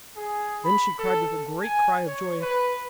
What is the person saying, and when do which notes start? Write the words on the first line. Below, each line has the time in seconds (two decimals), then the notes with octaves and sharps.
Then she cried with a great cry of joy.
0.15 G#4
0.63 B5
0.98 A4
1.61 G#5
2.06 C#5
2.40 B4